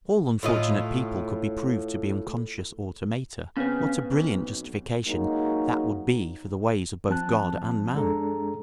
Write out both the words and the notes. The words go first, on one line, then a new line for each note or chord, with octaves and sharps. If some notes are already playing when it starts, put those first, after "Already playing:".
If all unfortunate people could be proved to be unconscious automata, what a brilliant justification that would be for the ways of both God and man!
A2 F4 D#5
C#3 B3 C4 B4
B1
F#3 G#3 A#3 D#4
F3 C4 A5 F#6
F#2 G#3 D4 G#4 A4 A#5